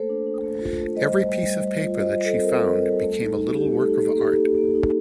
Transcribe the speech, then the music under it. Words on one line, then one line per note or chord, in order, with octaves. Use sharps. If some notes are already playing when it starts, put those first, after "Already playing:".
Every piece of paper that she found became a little work of art.
Already playing: A3 A#3 A4 C5
D4
D4
A3
F4
A3
G3 C5 D#5
G3
G3
G3
G3
F4
G3 C5 D#5
G3
A4
C4 C5
A#4
C4 A4
G3
G3
A3
D#4
D#4
D#4 G4
A3
A4
D#4
A#3 A4
G4
D#4 A4
A#3
A#3
D#4